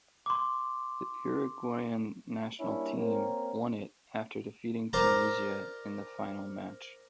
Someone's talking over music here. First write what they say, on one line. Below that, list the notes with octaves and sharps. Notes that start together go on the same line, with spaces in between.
The Uruguayan national team won it after defeating Tunisia in the final match.
C6 D6
G3 A#3 C#4 D4 E4
A#3 C4 C#4 A#4
F4 A#4 C5 D5 A#5